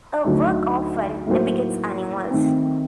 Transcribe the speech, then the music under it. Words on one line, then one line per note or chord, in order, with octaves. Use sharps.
Her work often depicts animals.
D2 D3 F#3 A3 D#4
A2 F#3 A#3 F#4 C5
D#3 A3 C4